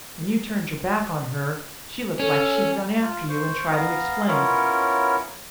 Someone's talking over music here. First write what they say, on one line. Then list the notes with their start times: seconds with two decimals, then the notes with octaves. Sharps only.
When you turned your back on her she looked like she'd run after you and try to explain.
2.20 C#4 A4
3.02 F4
3.29 C5 C#6
3.69 B3 F5 A#5
4.28 B3 C#4 E4 F4 A#4 C#5